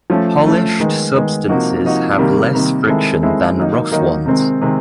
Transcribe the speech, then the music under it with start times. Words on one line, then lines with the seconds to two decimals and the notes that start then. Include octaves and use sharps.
Polished substances have less friction than rough ones.
0.10 F3 A3 C#4
0.45 F3 A3 C#4
0.80 D#3 G#3 B3
1.14 D#3 G#3 B3
1.49 C3 F3 A#3 D#4 F#4
1.83 C3 F3 A#3 D#4 F#4
2.18 C3 D#3 G3 A#3
2.53 C3 D#3 G3 A#3
2.87 D#3 G#3 C4 E4 A4
3.22 D#3 G#3 C4 E4 A4
3.57 D#3 F#3 A#3 D#4
3.92 D#3 F#3 A#3 D#4
4.26 C3 D#3 G#3 C4
4.62 C3 D#3 G#3 C4